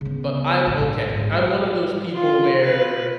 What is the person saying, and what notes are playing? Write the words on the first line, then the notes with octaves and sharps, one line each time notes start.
but I'm okay." I'm one of those people where
C#3 B3
A#1 G#2
A#1 G#2
F4
B4